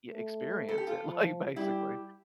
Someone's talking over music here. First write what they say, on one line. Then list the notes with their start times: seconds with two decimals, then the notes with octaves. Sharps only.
yeah, experience it, like, basically
0.10 A3
0.68 A4
0.78 G4
0.87 F4 A4
1.08 F3
1.56 G3 E4 G4